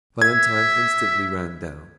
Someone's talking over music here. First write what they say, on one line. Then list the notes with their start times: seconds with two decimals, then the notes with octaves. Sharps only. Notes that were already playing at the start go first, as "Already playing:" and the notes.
Valentine instantly ran down.
0.22 E5 G#6